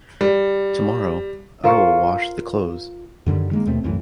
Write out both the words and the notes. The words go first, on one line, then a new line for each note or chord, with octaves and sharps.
Tomorrow, I will wash the clothes.
G3
F4 A#4 C5 F5 C6 C#6
F#2 D3 D#3 G3
D#3 G#3 A#3
D#2 B2 A3 C4
C2 F#2 A2 E3